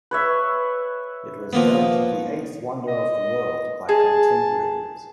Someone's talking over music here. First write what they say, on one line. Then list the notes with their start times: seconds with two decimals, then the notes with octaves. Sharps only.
It was dubbed the "Eighth Wonder of the World" by contemporaries.
0.11 B4 C#5 E5
1.53 F3 A#3 B3
2.88 D#5
3.89 G#4 A5